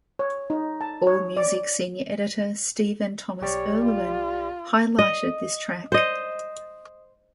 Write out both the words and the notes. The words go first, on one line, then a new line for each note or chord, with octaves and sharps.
AllMusic senior editor Stephen Thomas Erlewine highlighted this track.
C#5
D#4
A5
C#5
D5
B1 G4 C#5 D5
F4
D#5
C5 D#5